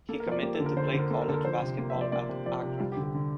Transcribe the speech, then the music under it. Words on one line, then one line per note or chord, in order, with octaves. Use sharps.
He committed to play college basketball at Akron.
A#3 A4
A#4
F3
D5
A#3 G4
A4
D3
A#4
D3 C5
C5
D3
A#4
A#3 A4
A#4
D3 A4
A#4
F3 C5
C3
A#3
E5
F3
D5
A#3 D5
C3
F3 D5
C3
G3 F4
G4
D3
G4
D3